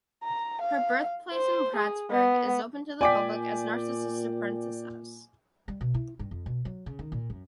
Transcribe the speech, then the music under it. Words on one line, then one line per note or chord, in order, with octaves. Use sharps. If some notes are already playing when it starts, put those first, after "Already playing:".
Her birthplace in Prattsburgh is open to the public as the Narcissa Prentiss House.
A#5
F5
C5
G#4
B3
A#2 D5 G5 G#5 D6 B6
G3
B2
E4
G2
F2
B2
F#3
C#3
D#3
A#2
F#2